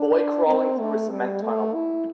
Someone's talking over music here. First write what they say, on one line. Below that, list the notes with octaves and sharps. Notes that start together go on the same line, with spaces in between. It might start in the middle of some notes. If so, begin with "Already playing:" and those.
Boy crawling through a cement tunnel.
Already playing: D4
C4
A3
G3
A3
E4